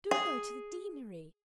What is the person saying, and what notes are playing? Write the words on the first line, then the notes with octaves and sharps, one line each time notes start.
Do go to the deanery.
G#4